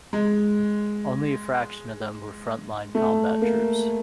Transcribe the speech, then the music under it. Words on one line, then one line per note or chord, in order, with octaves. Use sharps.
Only a fraction of them were frontline combat troops.
G#3
A3
A#3